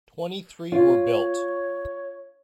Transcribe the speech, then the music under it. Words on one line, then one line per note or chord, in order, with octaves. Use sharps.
Twenty-three were built.
F4 C#5